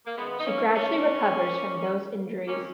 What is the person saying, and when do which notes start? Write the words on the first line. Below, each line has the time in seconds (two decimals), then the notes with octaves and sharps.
She gradually recovers from those injuries.
0.06 A#3
0.17 F#2 D#3 G#3 B3
0.39 D#4
0.46 A#3 C#4
0.74 G#2 D#3 A#3 C#4
1.32 F#2 C#3
1.90 D#2 C#3
2.47 F2 D#3 A#3 C#4